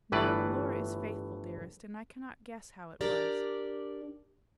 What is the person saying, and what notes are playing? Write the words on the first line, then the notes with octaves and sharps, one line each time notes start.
"No, Laura is faithful, dearest, and I cannot guess how it was."
G1 A2 E3 B4 D5
D4 G4 A#4 D5